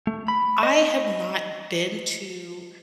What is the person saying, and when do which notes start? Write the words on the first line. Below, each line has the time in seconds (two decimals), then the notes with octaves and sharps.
I have not been to
0.07 A3
0.28 B5
0.63 D#5